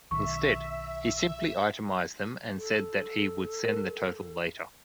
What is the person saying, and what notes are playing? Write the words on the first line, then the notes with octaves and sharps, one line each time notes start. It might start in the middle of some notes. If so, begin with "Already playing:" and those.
Instead, he simply itemised them, and said that he would send the total later.
B1 D#3 E5 C#6
A4
A#4